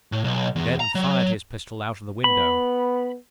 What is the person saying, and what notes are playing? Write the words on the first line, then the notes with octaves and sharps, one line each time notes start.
He then fired his pistol out of the window.
A2
B1
E2
A#5
F#3
B3 B5